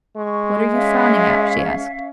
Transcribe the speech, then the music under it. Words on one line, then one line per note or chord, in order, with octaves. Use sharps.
"What are you frowning at?" she asked.
G#3 C#6
C#4 E5 F5